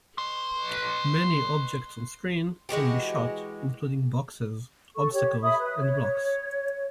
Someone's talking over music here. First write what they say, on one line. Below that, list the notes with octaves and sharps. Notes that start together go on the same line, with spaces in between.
Many objects onscreen can be shot including boxes, obstacles and blocks.
B4 C6
E3 G#3 F#4 G4
A4 C#6
G4 C#5
E5 B5 D#6
B4
C#5